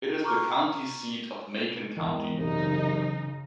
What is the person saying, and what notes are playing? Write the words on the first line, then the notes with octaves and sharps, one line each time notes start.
It is the county seat of Macon County.
A#5 C#6 D6 F6
E2 G#2 D#3 E3 B3
C2 F#2 C#3 D#4